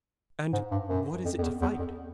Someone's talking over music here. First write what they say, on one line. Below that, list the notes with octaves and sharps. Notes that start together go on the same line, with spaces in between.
'And what is it to fight?'
G#2
G2
F#2
F2
F2
E2
E2
F2